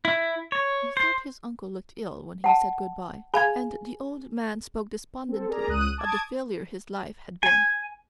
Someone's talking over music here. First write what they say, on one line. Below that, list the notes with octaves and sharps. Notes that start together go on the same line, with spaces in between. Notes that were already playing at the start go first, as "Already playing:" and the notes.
He thought his uncle looked ill when he said good-by, and the old man spoke despondently of the failure his life had been.
E4
C#5
C5
F#5 A5
G#4 F5 G#5 B5 G#6
C4 A4
G#4 A#4 D5 A#5
C#2 D#6 F#6 D#7
A5 D6 D#6 G#6
G#5